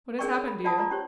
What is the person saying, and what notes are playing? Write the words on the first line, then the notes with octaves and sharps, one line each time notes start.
What has happened to you?
C#4 G#4 A#4 D5 G5 C#6
A4 C#5
B5
F4 D5 F#5 A5 B5 D#6
F4 B4 D5 A#5
C#4 G4 C5 C#5